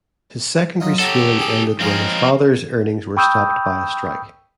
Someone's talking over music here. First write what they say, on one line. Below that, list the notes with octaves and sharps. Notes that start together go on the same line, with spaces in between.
His secondary schooling ended when his father's earnings were stopped by a strike.
F#3 D#4 F4
G4 A4 C#5 F#5 A#5
G#4 G5
F3 G#3 C4 C#4 A#4
G5 B5 C#6 D#6 E6 G6